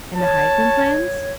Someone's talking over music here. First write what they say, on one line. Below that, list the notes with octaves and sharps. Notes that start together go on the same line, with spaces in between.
And the Huysman plans?
C#5 A5